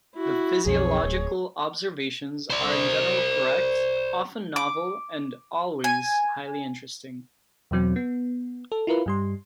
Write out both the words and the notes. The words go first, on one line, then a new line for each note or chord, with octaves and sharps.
The physiological observations are in general correct, often novel, and always highly interesting.
E4 F#4
B1 F2 G#4 C#5
D1
C5 D5
D6
G#5
E2 B2 F#3 C4
B3
A4
E4 F4 A#4 B4
G2 G3 C6